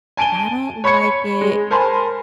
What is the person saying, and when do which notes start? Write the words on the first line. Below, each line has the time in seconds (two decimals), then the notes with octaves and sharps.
I don't like it
0.17 G#5 A5 D7 D#7 G7
0.84 C#5 B5 C#6 G#6 C#7
1.41 G#3
1.71 A#4 C5 G#5 A5 B5 C6